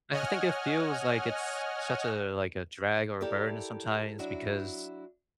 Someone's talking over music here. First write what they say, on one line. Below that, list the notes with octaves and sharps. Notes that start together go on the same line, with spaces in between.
I think it feels like it's such a, like, a drag or a burden sometimes, because,
C#5 D#5 F#5 G#5 F6
E4 G4 A4 A#4 D5
F#3 D4 E4 F#4